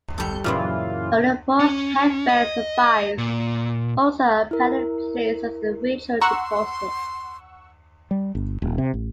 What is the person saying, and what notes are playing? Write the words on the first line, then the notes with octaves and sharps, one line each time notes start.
Only the boar's head bell survives, also apparently placed as a ritual deposit.
G#1 G3 A4 G6 C#7
F#2 A#2 C#3 E3 E4 F4
C#4
D#5
A#2
E4 A#4
F#5 A#5 C6 C#6 E6
G3
G1
D#1
C3
A1